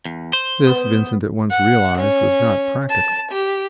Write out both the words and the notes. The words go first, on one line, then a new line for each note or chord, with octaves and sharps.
This, Vincent at once realized, was not practical.
E2
C5
B3
F#5
C#4
A5
G4